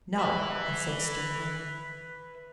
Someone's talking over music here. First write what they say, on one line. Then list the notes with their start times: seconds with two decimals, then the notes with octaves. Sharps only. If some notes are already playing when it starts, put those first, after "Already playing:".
"No," I said sternly.
0.18 B4 E5